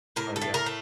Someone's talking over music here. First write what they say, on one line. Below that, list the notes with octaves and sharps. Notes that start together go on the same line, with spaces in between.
Oh, yeah.
A2 A#4
A4
A2
A#4
A3